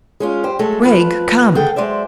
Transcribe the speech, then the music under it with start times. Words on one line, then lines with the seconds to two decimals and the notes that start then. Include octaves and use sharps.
"Gregg, come."
0.20 G#3 C#4 F4
0.43 G2 G4 C5
0.59 F#3 G#3 A3 A4
0.82 F2 F3 B4
1.55 G#4 A4 F#5 G5
1.76 F#3 G#3 C5 D5 E5